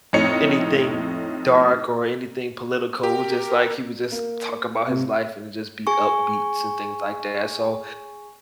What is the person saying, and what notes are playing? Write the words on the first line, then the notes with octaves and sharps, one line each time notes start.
anything dark or anything political, it was just, like, he would just talk about his life and just be upbeats and things like that so
F2 A2 A3 D#4 C#5 C#7
G4 A#4
A#3
C3
G#4 G#5 C#6